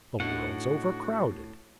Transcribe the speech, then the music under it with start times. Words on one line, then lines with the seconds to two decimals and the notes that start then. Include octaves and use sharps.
The world's overcrowded.
0.20 A2 A3 D4 D#4 F#4 F#5